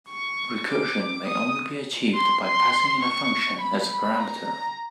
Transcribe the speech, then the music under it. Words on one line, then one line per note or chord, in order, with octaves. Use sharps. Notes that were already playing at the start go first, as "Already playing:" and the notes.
Recursion may only be achieved by passing in a function as a parameter.
C#6
D6
D#6
C6
C6
C#6
B5
B5
A#5